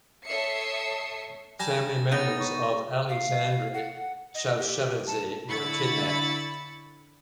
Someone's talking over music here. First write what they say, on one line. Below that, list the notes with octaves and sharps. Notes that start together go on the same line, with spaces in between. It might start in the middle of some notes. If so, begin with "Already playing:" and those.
Family members of Aleksandre Chavchavadze were kidnapped.
A4 C#5 E5 D#6 C7 C#7
G3 G#5 A5 A#6
B3 D#4 C#5 A#5 A6 A#6 D#7
C#6
F5
F#5
D#5
G4
A5
D3 E4 B5 C#6 A6 C#7